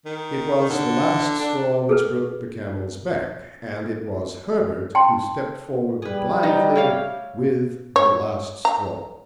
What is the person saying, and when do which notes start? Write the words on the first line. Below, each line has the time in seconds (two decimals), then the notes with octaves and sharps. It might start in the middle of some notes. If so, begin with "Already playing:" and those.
It was the last straw which broke the camel's back, and it was Herbert who stepped forward blithely with the last straw.
0.05 D#3
0.69 D3
1.40 D4
1.89 G#4 A4 B4
4.95 G5 A5 C6
6.02 G3 G#4 B4
6.43 F#3 D#4 D#5
6.76 A3 C#5 F5
7.96 C#5
8.65 A#5